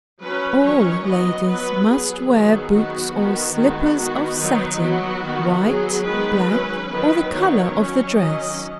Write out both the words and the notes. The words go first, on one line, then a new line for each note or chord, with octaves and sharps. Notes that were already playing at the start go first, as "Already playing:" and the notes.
All ladies must wear boots or slippers of satin, white, black, or the color of the dress.
F#3 C#4 B4
D#3 F#3 C#4 C#5
F#3 B3 D#5
F#3 B3 B4
F#3 B3 G#4
D#3 F#3 B3 G#4
D#3 B3 F#4
D#3 B3
D#3 G#3 B3 F#4
D#3 B3 F#4
D#3 F#3 B3 D#4
F#3 B3 F#4
D#3 B3
F#3 B3 G#4
D#3 G#3 B3 B4
F#3 C#4
D#3 F#3 B3 B4
D#3 F#3 B3 C#5
F#3 C#4
D#3 F#3 C#4 D#5